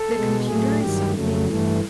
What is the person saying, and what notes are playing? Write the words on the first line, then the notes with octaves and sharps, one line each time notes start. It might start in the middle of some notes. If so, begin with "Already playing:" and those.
the computer is something
Already playing: A4
B2 G#3
A2 F#3 A3 G#4
G2 D#3 F#3 G4
F2 C#3 F#3 A3
G2 E3 A3